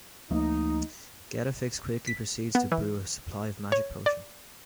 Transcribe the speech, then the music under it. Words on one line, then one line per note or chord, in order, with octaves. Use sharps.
Getafix quickly proceeds to brew a supply of magic potion.
D2 F3 A3 A#3 D#4
B6
B3
E3
C#5
D5